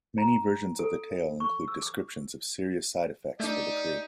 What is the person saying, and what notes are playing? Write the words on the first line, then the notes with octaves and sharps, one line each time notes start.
Many versions of the tale include descriptions of serious side effects for the crew.
A#5
A4
C#6
E6
D6
A3 D4 D#4 G4 D5